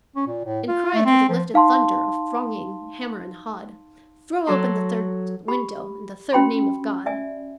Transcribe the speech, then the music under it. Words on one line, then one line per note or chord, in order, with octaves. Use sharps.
And cried through the lifted thunder Of thronging hammer and hod 'Throw open the third window In the third name of God.'
C#4
A#2
A2
F4
A3
C4
F3
D#4 F5 A5 C6
F#3 F#4 A4 A5 A#5 C6
G4 B5
C#4 F#4 G5 B5 C6
D5 E5 G#5